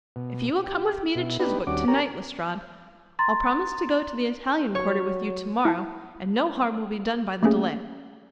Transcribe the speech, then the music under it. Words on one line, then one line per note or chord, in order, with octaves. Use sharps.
If you will come with me to Chiswick to-night, Lestrade, I'll promise to go to the Italian Quarter with you to-morrow, and no harm will be done by the delay.
B2
G4
B2 E4
B3 D4 D#4 G4 B4
D#2 G3 C#4 D4 F#4 D6
G4 A#4 C#5 A#5
A#5 C6 A6
F#3 C#5
E4 A5
A3 A#3 C#4 G#4